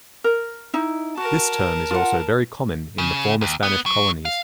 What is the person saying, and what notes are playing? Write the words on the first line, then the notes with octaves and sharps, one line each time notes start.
This term is also very common in the former Spanish Colonies.
A#4
D#4 E4
F#4 A#4 A5
F4 F#5
C#3
D#2
B3
F#3
F5